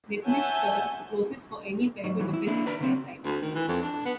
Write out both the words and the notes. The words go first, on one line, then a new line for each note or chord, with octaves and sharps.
They finished third, the closest for any pair to defend its Pairs title.
C#5 E5 F#5 G#5 A5 G6
G#2 F#3
D#2 G#2 E3 F#3
E4
A#3 D4 E4
B4 D5 A#5
C#3 C4
D2
D#3
E3
F2
D4
B3